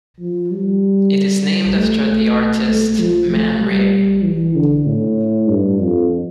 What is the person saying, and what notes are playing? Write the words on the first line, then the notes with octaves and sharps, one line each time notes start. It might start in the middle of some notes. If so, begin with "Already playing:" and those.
It is named after the artist Man Ray.
F3
G3
A3
A3
A3
F3
A3
G3
E3
D3
A2
G2
F2